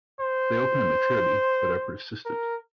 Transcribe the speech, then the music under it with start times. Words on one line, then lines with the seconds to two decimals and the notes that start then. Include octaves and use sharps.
They open at maturity but are persistent.
0.20 C5
2.25 A#4